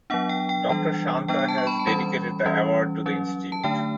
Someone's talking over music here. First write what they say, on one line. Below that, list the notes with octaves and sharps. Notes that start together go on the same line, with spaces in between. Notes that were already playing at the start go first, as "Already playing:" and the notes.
Doctor Shanta has dedicated the award to the institute.
F#3 B3 D4 F#5
G5
G5
E3 G3 D4 G5
G3 B3 D4 G5
G5
A5
C#6
B5
A5
E3 G3 C#4 B5
E3 G3 C#4
F#3 C#4
A5
D3 A3 D4 G5